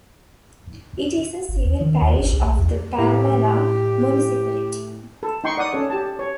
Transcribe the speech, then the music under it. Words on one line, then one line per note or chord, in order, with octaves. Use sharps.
It is a civil parish of the Palmela Municipality.
G1
D#2
D#3
D#2
G#1
C2
B1
E2
A2 G4
A4
D#4 G5 C6 C#6
D5 F#5 D#6
C#4 A4 C#5
G4 A5
C#5